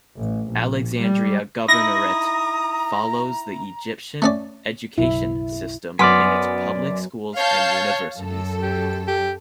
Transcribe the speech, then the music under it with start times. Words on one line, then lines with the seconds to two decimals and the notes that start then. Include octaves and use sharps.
Alexandria Governorate follows the Egyptian Educational System in its public schools and universities.
0.17 A1
0.48 A#1
0.99 G3
1.68 D#4 E4 A#5 D#6 A#6
4.22 A3 C#4 D5
4.98 F#1 B1 E4
5.99 F#2 B3 D5 G#5 C6 D6 F6 B6
7.37 C#5 F5 A5 G6
8.18 F#2 A4
8.62 G4
9.07 G4